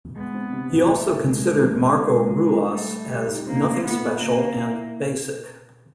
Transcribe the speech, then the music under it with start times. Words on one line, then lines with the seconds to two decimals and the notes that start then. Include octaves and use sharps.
He also considered Marco Ruas as "nothing special" and "basic".
0.16 G#3 B3
0.34 C4
0.53 C3
0.70 C3
0.89 A3 B3
1.08 D#4
1.26 G#3 A3
1.44 A3
1.63 C5
1.81 G4
2.00 G#3 C#4
2.18 C#4
2.37 F#3
2.55 D4
2.73 G3 A3
2.91 A3
3.09 G4
3.28 D#4
3.47 A#3 C4
3.65 A3
3.84 A#2 B3
4.02 A#2
4.20 C#3 A#3
4.39 C#3
4.57 E4